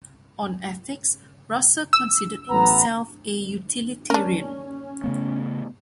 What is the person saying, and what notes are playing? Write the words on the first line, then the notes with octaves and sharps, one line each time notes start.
On ethics, Russell considered himself a utilitarian.
E6
A1 B3 A#5
C#4 D4 A#4
C#3 A3 B3